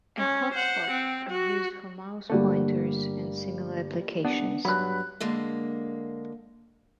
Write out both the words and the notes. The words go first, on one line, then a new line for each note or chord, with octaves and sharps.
A "hotspot" is used for mouse pointers and similar applications.
C#4
C5 F#5
C4
F#4
G1 D3 G3 A3 A#3
B3 D4
G2 F#3 B5 F#6
D3 G#3 A#3